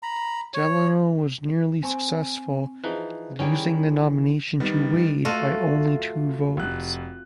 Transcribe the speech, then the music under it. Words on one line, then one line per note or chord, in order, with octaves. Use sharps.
Delano was nearly successful, losing the nomination to Wade by only two votes.
A#5 B5
C#5
C4 G#5 A5 C#6
E3 F3 D#4 G#4 F#6
E2 D#3 G3 C#4 E4 G5
D#3 G3 B3
A3 F4 F#4 D#7
F1 F#6